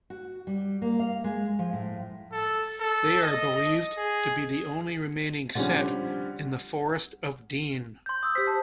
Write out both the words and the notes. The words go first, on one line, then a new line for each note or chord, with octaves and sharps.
They are believed to be the only remaining set in the Forest of Dean.
F#4
G3
A#3
F5
G#3
F3
A2
A4
A4
D#5
G#4
D3 F3 G3 C4 C#4
C6 G6
D#6 E6
G4 C5 B6
A5